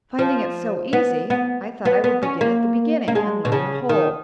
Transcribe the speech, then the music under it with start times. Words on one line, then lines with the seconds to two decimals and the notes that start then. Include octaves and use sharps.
Finding it so easy, I thought I would begin at the beginning, and learn the whole.
0.19 F3
0.93 B3
1.30 B3
1.85 B3
2.04 B3
2.22 C#4
2.41 A#3
3.08 A#3
3.15 G#3
3.45 B2
3.52 C#3
3.89 D#3